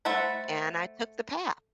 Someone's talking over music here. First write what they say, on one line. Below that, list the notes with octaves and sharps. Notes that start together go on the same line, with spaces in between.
and I took the path.
A3 C5 E5 F#5 B5